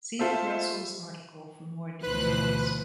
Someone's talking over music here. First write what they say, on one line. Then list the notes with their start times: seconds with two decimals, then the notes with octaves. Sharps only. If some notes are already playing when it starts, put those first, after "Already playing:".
See the Brussels article for more details.
0.19 F4 A4 C5 E5
2.03 D2 B2 E3 F3 B4 C5 F#6